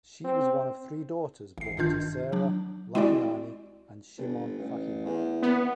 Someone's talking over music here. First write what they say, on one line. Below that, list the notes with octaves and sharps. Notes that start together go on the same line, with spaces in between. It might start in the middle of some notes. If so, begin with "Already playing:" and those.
She was one of three daughters born to Sarah Lahiani and Shimon Fahima.
C4
A1 C7
G#1 G2 D#3 D4 F4 G6
F#3 D4
G#3 C4 E4 F#4 G4 D5
G1
A1
E2
B3